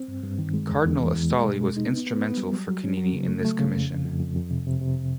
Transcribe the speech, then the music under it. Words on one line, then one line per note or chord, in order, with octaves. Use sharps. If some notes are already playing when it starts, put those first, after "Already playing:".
Cardinal Astalli was instrumental for Canini in this commission.
Already playing: C4
G2
G2
D#3
G#3
E2
E2
E3
E2
G#3
B2
G#3
D#4
B3
B3
B3
G3
F#3
F#3
C#4
F#3
C#3
A3
A3
C#3
F2
F2
F2
F2
F2
C3
C3
C3